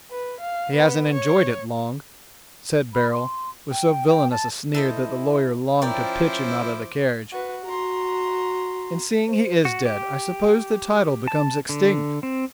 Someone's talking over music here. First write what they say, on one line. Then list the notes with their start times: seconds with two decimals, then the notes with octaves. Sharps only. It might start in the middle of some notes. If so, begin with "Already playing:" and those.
"He hasn't enjoyed it long," said Beryl, with so villainous a sneer that the lawyer longed to pitch him out of the carriage, "and seeing he is dead I suppose the title becomes extinct."
0.11 B4
0.40 F5
0.75 B3
1.13 C#5
2.94 B5
3.11 C6
3.71 G5
4.08 G5
4.31 A5
4.74 E4 A4 C5 D#5
5.82 F3 C#4 E4 A#4 C5 D5 G5 D6
7.33 F#4 B4
7.65 F#4 A#5 C6
9.28 C5
9.65 F#4
9.85 G4
11.28 A5
11.69 D3
12.23 C4